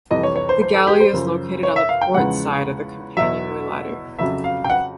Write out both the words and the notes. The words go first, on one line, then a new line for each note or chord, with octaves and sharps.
The galley is located on the port side at the companionway ladder.
F2 C3 E3 G3 D#5
C#5
C#5
C5
C5
A4
G4
C5
F#2 C#3 F3
C#5
E5
F5
G5
E2 C#3 F3 G#3 F#5
E2 B2 F#3 E5
F2 C#3 F#3 E5
F5
G5
F#5